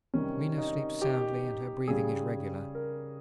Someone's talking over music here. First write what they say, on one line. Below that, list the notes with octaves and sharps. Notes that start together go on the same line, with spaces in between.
Mina sleeps soundly and her breathing is regular.
C3 D#3 G3 C#4
D#4
G4
C#3 G3 G#4
A#4